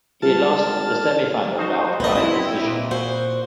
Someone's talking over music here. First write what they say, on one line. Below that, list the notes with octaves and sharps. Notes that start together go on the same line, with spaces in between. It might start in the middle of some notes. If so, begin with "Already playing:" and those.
He lost the semifinal bout by decision.
G#1 G3 F4 A5 F6
D#4 F#4 C5
C2 G#2 A3 B3 D#5
C4 E4 D#5
A#2
F#4 C5